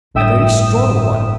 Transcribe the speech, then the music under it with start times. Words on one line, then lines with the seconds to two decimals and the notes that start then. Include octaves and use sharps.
A very strong one.
0.14 G1 A2 E5 G5 D#6 E7